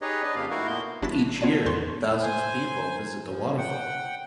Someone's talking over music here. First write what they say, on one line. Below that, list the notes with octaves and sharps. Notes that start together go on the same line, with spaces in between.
Each year thousands of people visit the waterfall.
D#4 G4 G#4 B4 C#5 D#5
D4 B4 D5 D#5
F2 C#3 A#3 G4 F5
A3 D#4 E4 F#4 A#4 F5
A#2 A#3 B3 C6 G6
G1 D4 E4 F#4 A6 B6
B3 F4 C#5 D5 A5
E2 C6 C#6
C5 G#5
F3
F#5 G5